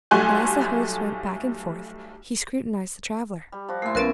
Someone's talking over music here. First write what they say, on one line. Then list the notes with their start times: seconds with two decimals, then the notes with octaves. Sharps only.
But as the host went back and forth, he scrutinized the traveller.
0.11 B1 G3 A3 G#5 C6 F#6
3.52 G3
3.68 F3 F#4
3.82 A#2 A3 E4 C6
3.95 A#1 B3 C#4 E4 F4 A#4 B4 A6